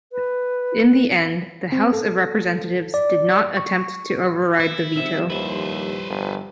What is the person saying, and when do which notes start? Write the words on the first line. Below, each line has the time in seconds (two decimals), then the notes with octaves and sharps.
In the end, the House of Representatives did not attempt to override the veto.
0.12 B4
1.72 C4
1.93 A4
2.94 D5
3.57 C#6
4.60 E4
4.96 F3 G3 C4 C5 E5
5.30 D#2 E4 B4 C5
6.09 G1